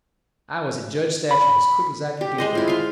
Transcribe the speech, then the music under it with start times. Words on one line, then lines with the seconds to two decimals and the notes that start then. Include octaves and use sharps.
I was at Judge Thatcher's as quick as I could get there.
1.31 B5
2.21 G4
2.38 G#3 C5 D#5
2.55 E4 F4
2.68 F4 F5